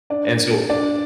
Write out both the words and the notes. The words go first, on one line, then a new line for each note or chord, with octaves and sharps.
and so
D4 D5
D4 D5